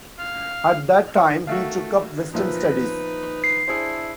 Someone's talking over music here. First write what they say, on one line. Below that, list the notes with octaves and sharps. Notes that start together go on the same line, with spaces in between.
At that time he took up Western studies.
F5
D#3 A3 F#4 E5 F5
A#2 F3 D#4 B4 E5
C7
D4 E4 G#4 C5